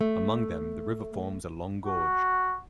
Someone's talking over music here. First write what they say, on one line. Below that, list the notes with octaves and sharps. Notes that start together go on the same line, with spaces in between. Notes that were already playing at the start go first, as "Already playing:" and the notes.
Among them, the river forms a long gorge.
A3
F#4